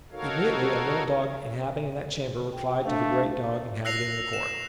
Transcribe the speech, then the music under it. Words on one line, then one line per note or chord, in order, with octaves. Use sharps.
Immediately a little dog inhabiting that chamber replied to the great dog inhabiting the court.
D#4 F#4 A4 A#4 C#5 F5
G5
A3 D4 F5
E6 F#6 A#6 C7 C#7 F7
E7